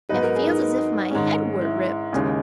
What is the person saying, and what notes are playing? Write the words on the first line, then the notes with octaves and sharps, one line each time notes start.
"It feels as if my head were ripped."
G#2 F#3 B3 D#4 B4
A#4
G#4
D#4
D#4
G#2 D#3 G#3 C#4
E4
D#2 C#3 G#3 D#4